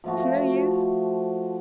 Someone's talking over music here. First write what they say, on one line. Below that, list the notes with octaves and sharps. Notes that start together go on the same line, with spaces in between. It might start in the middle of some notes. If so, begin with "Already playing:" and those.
It's no use.
F3 A3 F#4